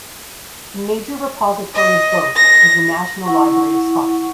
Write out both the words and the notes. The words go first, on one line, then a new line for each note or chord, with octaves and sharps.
The major repository of both is the National Library of Scotland.
D#5
A#6
E4 F#5 C#6